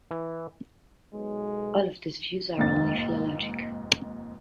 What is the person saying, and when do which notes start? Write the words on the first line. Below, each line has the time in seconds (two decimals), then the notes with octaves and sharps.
All of these views are only philologic.
0.11 E3
1.12 B1 G#3
2.58 F1 D#2 G#2 A6